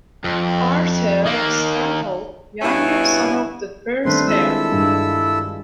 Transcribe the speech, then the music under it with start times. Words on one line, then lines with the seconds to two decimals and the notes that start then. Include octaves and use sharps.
Arthur Stanhope, younger son of the first Earl.
0.24 F2
1.25 D#3 A#3
2.62 G2 B2 C#4 E4
4.05 D#3 G3 A3 C4 D4 B4 C6
4.27 G#3 E4 F4 G#4 A4 E6
4.72 G2